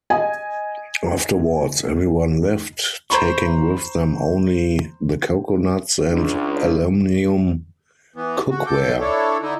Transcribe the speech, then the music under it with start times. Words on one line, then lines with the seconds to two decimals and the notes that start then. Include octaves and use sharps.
Afterwards, everyone left, taking with them only the coconuts and aluminium cookware.
0.10 D#5 G#5
3.10 C5 A#5 B5 C#6
6.13 C#2 D4
8.16 E3 B3
8.50 F#4
8.66 A4 G5 D6
9.01 D4 E4 A4 C#5
9.42 D3 D#4 E4